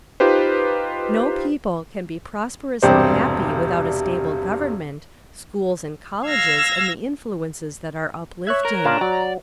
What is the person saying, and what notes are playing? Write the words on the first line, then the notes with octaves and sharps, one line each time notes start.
No people can be prosperous and happy without a stable government, schools and colleges and the influences that are uplifting.
D#4 F4 G4 B4 C5
E1 G2 C3 G4 C5 D5
F5 E6 G#6 A#6
C#5 E5 F#6 G#6
A#4 A#5
A#2 D4 A#4 F5
F#3 D5